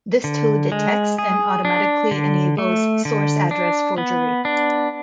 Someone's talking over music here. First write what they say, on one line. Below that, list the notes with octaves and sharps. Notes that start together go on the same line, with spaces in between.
This tool detects and automatically enables source address forgery.
D3
G#3
G#4
D4
D3
A3
D3
D4
B3
D4